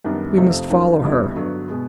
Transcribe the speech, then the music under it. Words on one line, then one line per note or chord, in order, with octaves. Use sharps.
"We must follow her."
F#2 D#3 G3 B3 D4
F2 C3 F3 A3
D#2 D#3 F#3 A#3 C#4
F2 D3 G3 B3 E4
G2 D3 F#3 B3
B2 G#3 B3